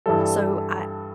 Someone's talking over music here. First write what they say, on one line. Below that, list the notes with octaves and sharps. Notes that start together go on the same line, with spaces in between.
so I
G2 E3 G3 A4